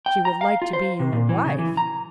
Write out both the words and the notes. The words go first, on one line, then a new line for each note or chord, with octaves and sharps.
"She would like to be your wife!"
G5
A#5
F5
F4
C5
C3
A#2
E3
C#3
E3
A#5